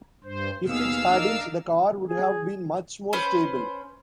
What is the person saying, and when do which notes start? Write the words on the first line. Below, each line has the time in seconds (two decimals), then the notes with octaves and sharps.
If it hadn't, the car would have been much more stable.
0.24 G2 C5
0.67 D#2 B2 G#4 F5 E6
1.08 D4 D#4 A#4
2.07 G#4
3.13 C#4 B4 C5